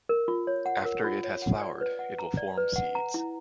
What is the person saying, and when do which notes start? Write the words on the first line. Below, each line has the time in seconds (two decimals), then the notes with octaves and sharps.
After it has flowered it will form seeds.
0.09 A#4
0.28 F4
0.47 C#5
0.66 F#5
0.85 A#4
1.04 F4
1.24 C#5
1.42 F#5
1.61 D5
1.81 B4
1.99 F#5
2.19 A#5
2.37 D5
2.57 B4
2.76 F#5
2.95 A#5
3.14 E4